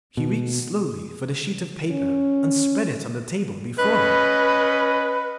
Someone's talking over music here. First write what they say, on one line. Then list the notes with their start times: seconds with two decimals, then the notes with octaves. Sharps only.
She reached slowly for the sheet of paper and spread it on the table before her.
0.17 B2
1.91 C#4
3.78 C#4 B4 D#5 B5